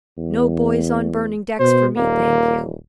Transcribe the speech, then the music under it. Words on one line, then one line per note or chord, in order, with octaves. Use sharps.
'No boys on burning decks for me, thank you.'
E2
B2 C5
D#1 A#3